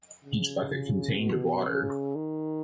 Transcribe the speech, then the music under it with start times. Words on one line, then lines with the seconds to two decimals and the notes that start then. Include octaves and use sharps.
Each bucket contained of water.
0.25 C#3
1.20 B2
1.68 C#3
2.15 D#3